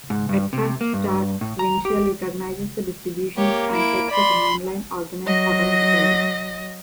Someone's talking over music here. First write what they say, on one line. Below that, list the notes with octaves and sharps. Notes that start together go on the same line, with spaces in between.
At first start, WinShell recognizes the distribution and sets the command-line arguments automatically.
G#2
G2
C3
A#3
G2
A2
A#5
G4
A#3 G4 C#5
E4 D7
D5 B5 C6
F#3 D#5 A#6